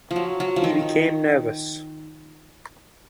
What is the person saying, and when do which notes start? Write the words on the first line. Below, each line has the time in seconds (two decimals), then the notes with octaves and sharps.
He became nervous.
0.11 F3
0.16 F#3
0.40 F#3
0.56 F3
0.64 D#3